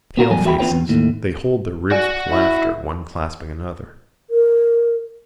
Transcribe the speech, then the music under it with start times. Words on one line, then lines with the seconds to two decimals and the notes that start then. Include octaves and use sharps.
Palefaces: they hold their ribs with laughter, one clasping another.
0.17 B3 F#4 A#4 F5
0.31 E2 F#3 G3 G#5
0.45 E2 F#4 E5 G5 B5
0.58 B3 C4 F4 B4 C#5 G5
0.70 E2
0.89 D#2 A2
1.91 F#4 D5 F#5 G#5
2.30 E4
4.30 A#4